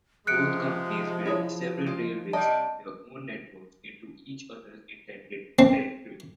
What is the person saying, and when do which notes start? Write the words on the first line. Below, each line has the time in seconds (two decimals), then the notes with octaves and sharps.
Both companies built several railways from their own networks into each other's intended territory.
0.27 C3 F3 G#3 F#6 C#7 D7
1.26 E4 G#4 C#5
1.87 G#3 F4
2.33 C3 G3 D#5 A5
5.59 C4